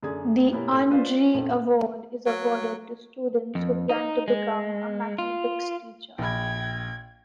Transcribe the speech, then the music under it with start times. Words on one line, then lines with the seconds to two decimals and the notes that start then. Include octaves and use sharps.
The Andree award is awarded to students who plan to become a mathematics teacher.
0.03 F#2 D3 G#4 D5 G#6
0.52 B2 A#3 C#4 E4 G4 A#4
0.72 A2 C4
0.90 B3 F4 B4 C5 D5 F5
1.34 A#1 F2 A2
2.26 F#3
3.55 F2
3.89 D#4
4.28 G#3
5.18 F4
6.18 A#1 G5 B5 G#6